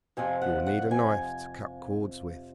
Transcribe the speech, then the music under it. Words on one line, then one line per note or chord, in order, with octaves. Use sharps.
You will need a knife to cut cords with.
F2 C3 F3 G#5
F#5
F#5
G#5